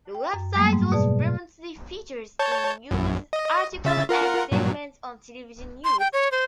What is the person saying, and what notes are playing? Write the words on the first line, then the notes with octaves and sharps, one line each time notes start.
The web site was prominently featured in news articles and segments on television news.
G5
F#2
F#3 G3 A3 A#3
G#2
B2 G#4 D5 A5
C#5 A5 G6
A#1 F#2
D#5
C#3 E5 A6
F4 A#4 F#5
G2 A#2 F#3
C6
G5
C#5
C5